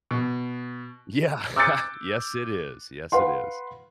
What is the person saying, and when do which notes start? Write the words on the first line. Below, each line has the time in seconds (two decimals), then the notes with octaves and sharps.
Yeah. Yes. It is. Yes. It is.
0.11 B2
1.56 D6 E6 F#6 G6 A6 C#7
3.12 B4 F5 F#5 C6